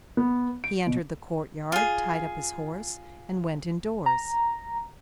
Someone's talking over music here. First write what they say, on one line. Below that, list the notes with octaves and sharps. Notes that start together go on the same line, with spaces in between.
He entered the courtyard, tied up his horse, and went indoors.
B3
D7
B2
F4 G#4
A#5